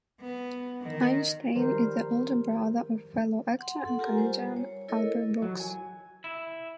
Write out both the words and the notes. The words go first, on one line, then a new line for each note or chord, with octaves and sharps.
Einstein is the older brother of fellow actor and comedian Albert Brooks.
B3
D#3
D#3 F3 G3 A#4 C5
F#5 C6
A4 F#5
F4 G4 A#4 G#5 A#5
G3 C5
C#5
E4 A4 A#4 C#5 D#5
F#3
G#5
E4